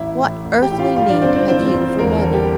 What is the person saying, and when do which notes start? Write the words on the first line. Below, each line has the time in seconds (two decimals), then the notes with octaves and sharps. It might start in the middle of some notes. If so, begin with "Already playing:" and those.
What earthly need have you for money?'
Already playing: A1 E4 E5
0.19 A2
0.45 A1
0.62 G4 G5
0.71 A2
0.79 F4 F5
0.96 G2 F4 F5
1.09 D4 D5
1.22 G1 C4 C5
1.35 C4 C5
1.48 E3 C4 C5
1.74 G1
1.99 E2 A#3 A#4
2.16 A4
2.25 G3
2.33 G4